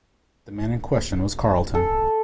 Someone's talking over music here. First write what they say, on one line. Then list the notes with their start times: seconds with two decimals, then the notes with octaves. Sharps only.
The man in question was Carlton.
1.75 A4